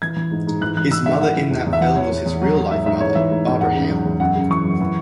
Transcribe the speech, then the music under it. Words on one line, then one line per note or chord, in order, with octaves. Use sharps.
His mother in that film was his real-life mother, Barbara Hale.
E3 G#6
E3
G#2
G#2
E3 F#6
E3 F#6
G#2 E6
G#2 E5
E3 F#5
E3
E2
E2
E5
E3 F#5
E3 C#5
E2
E2
F#3
F#3
G#2 E5
G#2 E5
E3 C#5
E3 E5
G#2
G#2
E2 F#5
C#3
F#3
E2
F#2 F#5
C#3
E3 C#6
F#2
E3